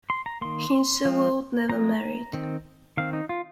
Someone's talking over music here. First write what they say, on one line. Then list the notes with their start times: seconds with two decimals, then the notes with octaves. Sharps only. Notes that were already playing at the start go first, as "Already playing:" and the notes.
Hinshelwood never married.
0.10 C6
0.26 A#5
0.41 D#3 A#3 C6
1.05 F3 G#3 C4
1.69 F3 G#3 C4 A#5
2.33 D#3 C4
2.97 D#3 C4 F5
3.13 D#4
3.29 F4